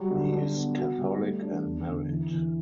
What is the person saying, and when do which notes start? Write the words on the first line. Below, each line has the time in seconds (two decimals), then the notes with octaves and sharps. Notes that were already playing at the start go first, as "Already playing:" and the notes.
He is catholic and married.
Already playing: F#3 G3
0.10 D3
0.32 D4
0.54 B3
0.76 F#4
0.99 G3
1.20 A3
1.42 D4
1.64 E2
1.87 D3
2.09 E3
2.30 E3